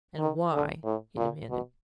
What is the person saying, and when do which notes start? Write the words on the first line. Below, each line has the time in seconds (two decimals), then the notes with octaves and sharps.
"And why?" he demanded.
0.19 D#3
0.52 D3
0.85 A2
1.17 A#2
1.50 B2